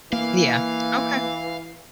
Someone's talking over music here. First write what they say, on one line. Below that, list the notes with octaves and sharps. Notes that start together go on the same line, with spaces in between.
yeah. Okay.
E3 A#3 F5